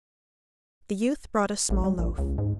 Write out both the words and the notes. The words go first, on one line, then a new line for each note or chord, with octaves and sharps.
The youth brought a small loaf.
A1
G3
A#1
C#2
G#2